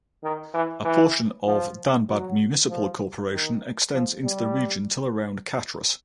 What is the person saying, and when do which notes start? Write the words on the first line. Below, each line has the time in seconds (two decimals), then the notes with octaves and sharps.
A portion of Dhanbad Municipal Corporation extends into the region till around Katras.
0.23 D#3
0.54 E3
0.84 E3
1.47 F3
2.08 F#3
2.70 F3
3.32 D#3
3.93 F3
4.23 G3